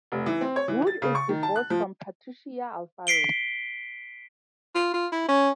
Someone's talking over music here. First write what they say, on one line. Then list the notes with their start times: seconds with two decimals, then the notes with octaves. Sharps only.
Wood is divorced from Patricia Alfaro.
0.12 F1
0.26 E3
0.41 C4
0.56 C#5
0.68 E3
0.87 A6
1.02 C#3
1.15 C#6
1.29 D#3
1.43 A5
1.56 F#6
1.70 F3
3.07 B6 C7 D7 G7
4.75 F4
4.94 F4
5.12 E4
5.28 C#4